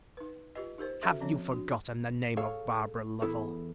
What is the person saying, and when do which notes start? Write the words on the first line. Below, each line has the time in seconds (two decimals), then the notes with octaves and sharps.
"Have you forgotten the name of Barbara Lovel?"
0.17 D#4 B4
0.55 F4 G4 B4 D#5
0.78 D#4 G4 A#4 C5
1.02 C#4 F#4 A4 E5
1.20 F3 C4 C#4 C#5
1.52 D4 F#4
2.37 G#4 A4 C#5 F5
3.22 E2 B3 E4 A4